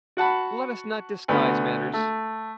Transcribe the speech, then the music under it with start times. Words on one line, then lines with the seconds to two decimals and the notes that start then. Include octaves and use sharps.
Let us not disguise matters.
0.17 F#4 F#5 A5 B5
1.28 D2 B3 B5
1.93 A3